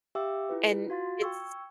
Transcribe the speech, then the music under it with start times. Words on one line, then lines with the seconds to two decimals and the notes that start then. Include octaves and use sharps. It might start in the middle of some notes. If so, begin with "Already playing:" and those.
And it's
0.15 G4 E5 F5 G5 D6 E6
0.49 E4 F4 B4
0.89 F4 F#4 F5 C6 A6
1.21 G5 C#6 E6 G#6